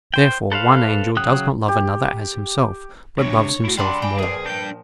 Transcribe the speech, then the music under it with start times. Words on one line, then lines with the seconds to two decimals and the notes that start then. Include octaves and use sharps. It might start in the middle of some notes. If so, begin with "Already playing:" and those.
Therefore one angel does not love another as himself, but loves himself more.
0.14 C5 G5
0.52 A4 B4 C5 F5
1.17 C#3 F#3 G5 D#6 F#6
1.68 G4
3.18 C#2 C3 D4 C#5
3.65 A3 E4 F#4
3.77 G3 D4 F5 F#5 B5 C6
4.02 D5 G5 G#5
4.19 A#2 F3 G#4 B4
4.45 D4 G5 G6